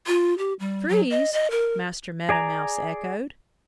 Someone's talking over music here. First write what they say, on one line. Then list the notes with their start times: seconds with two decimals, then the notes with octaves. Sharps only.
"Trees!" Master Meadow Mouse echoed.
0.07 F4
0.38 G4
0.60 G3
0.89 F#3
1.10 D#5
1.33 D#5
1.51 A#4
2.29 G#4 D5 G#5 A#5